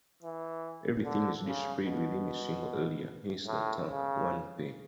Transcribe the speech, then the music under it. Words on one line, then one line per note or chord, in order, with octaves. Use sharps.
Everything is displayed within a single area, hence the term "one pane".
E3
D3
C#3
B2
A2
C#3